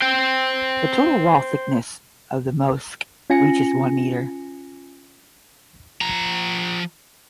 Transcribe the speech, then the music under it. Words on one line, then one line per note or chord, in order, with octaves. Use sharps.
The total wall thickness of the mosque reaches one meter.
C5 G5
C#4 F4 G#5 A#6 C#7
F3 A#5